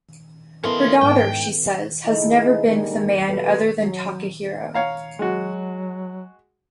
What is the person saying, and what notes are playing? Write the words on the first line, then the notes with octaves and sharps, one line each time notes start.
Her daughter, she says, has never been with a man other than Takehiro.
B3 C#4 E4 A4 A#4 D#5 F5 C6
G#2 G5
A3 D#4 E4 G#4 D#5
D3 G3 G#3 A#3 D#4
B2 F#3 G3 A4 B4
F#3
C#5 F5 A#5
F#3 G#3 F#4